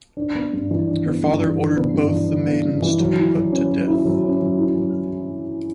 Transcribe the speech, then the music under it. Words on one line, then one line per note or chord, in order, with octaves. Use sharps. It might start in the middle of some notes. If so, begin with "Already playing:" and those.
Her father ordered both the maidens to be put to death.
D4
B3
G2
E3
D4
B3
G2
E3
D4
B3
G2
E3
D4
B3
G2
E3
F#3
E4
F#3
C#4
F#3
E4
F#3
C#4
F#3
E4
F#3